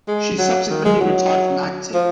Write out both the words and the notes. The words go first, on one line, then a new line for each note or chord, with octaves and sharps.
She subsequently retired from acting.
G#3
F#3
D#3
G#3
F#3
F3